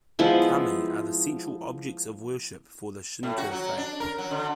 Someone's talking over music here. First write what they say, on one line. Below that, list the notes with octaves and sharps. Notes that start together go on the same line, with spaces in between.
Kami are the central objects of worship for the Shinto faith.
F3 G#3 B3 E4
A2
F#4
F#3
D4
A#4
F#3
D3